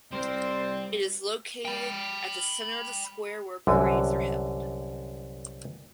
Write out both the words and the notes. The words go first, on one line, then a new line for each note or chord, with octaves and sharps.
It is located at the center of the Square where parades are held.
C2 G3 C4 A#4 C5 D5
G5 B5
C2 F#2 D3